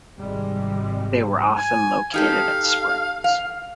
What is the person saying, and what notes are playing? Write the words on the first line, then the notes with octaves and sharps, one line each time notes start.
They were often located at springs.
G#1 C3 G3 G#3
G#5
D#4 G4 A4 F5
F5